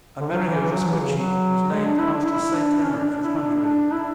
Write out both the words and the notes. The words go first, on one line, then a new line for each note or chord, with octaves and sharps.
Amerigo Vespucci was named after Saint Emeric of Hungary.
D3
F#3
E3
E3
F#3
E3
C#3
F#3
G#3
D4
E4
D4
E4
D4
C#4
D4
D4
E4
D4
D4
E4